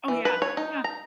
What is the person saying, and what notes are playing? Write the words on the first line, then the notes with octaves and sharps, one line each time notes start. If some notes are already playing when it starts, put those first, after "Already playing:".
Oh yeah, yeah.
E3
B4
C#5
D#4
A#5